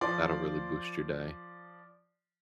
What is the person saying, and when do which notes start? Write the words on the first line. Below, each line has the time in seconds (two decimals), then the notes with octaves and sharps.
That'll really boost your day.
0.01 F3 D5 C6